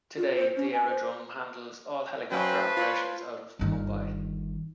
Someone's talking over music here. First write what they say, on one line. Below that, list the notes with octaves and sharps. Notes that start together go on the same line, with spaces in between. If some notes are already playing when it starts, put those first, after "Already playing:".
Today, the aerodrome handles all helicopter operations out of Mumbai.
F4
C5
C#4
G#5
C5
F#3 C#4 B4 C5 F5 G5 A5
F4 C#5
G1 D#3